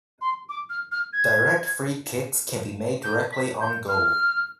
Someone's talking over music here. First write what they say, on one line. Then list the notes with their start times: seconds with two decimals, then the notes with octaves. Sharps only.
Direct free kicks can be made directly on goal.
0.21 C6
0.49 D6
0.70 F6
0.92 F6
1.13 G#6
3.04 G6
3.32 B6
3.61 G6
3.89 F6